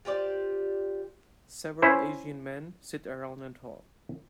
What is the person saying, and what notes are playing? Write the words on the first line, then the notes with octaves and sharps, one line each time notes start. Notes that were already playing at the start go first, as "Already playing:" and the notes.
Several asian men sit around and talk.
F4 G4 C5 D5
C#4 E4 C5